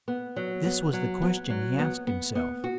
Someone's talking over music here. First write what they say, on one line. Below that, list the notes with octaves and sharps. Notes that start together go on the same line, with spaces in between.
This was the question he asked himself.
B3
F#3
B3
F#3
B3
F#3
B3
B3
B3
F#4